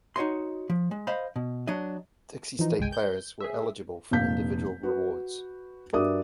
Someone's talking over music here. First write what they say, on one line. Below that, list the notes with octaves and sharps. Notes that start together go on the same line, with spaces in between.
Dixie State players were eligible for individual rewards.
D#4 F#4 C#5 D#5 C6
F3
G#3
C5 D#5 F5 B5
B2
F#3 D4 D#5
E3 F3 D#4
G1 C2 G#3 G5 G#5
G6
G#4 E5
F1 A#1 F5 G6 B6
F#4 B4
G2 F#4 A#4 D5 E5 D#6